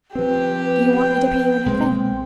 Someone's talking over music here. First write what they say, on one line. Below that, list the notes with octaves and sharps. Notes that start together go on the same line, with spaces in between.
Do you want me to pay you in advance?
F3 C4 G4 B4
B4
G5
B1 G#3 A#3 C4